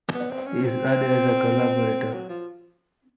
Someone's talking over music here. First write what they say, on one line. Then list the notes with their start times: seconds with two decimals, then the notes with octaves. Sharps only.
He is added as a collaborator.
0.15 B3
0.30 C4
0.47 C#4
0.63 C4
2.13 F#3
2.29 F3